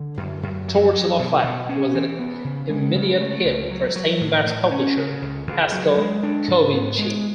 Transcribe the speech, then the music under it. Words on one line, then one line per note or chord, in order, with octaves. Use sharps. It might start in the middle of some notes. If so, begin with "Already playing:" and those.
"Tortilla Flat" was an immediate hit for Steinbeck's publisher, Pascal Covici.
Already playing: D3
F#2
F#2
F#3
F#3
B2
B2
C#4
E3
B3
C#3
G#3
C#3
A3
C#2
F#3
F#3
A2
A2
C#4
C#3
C#2
C#2
F#3
G#3
D4
G#2
B3
G#3